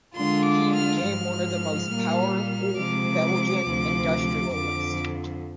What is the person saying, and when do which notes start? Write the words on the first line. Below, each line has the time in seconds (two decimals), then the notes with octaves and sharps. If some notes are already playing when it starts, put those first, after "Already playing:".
He became one of the most powerful Belgian industrialists.
0.16 D3 G#3 D4 F4 C6
0.45 D6
0.74 F6
1.03 G#2 F3 G#3 F6
1.91 A#2 G3 A#3
2.78 C3 F3 G#3 D6
3.65 D2 C3 F3
4.53 F2 D3 F3 D6